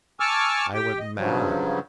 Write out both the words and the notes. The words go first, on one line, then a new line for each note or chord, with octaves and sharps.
I went mad!
G#5 A5 C#6 D6 E6 F6
G4 G5
D#5
G2 C#3 F3 F#3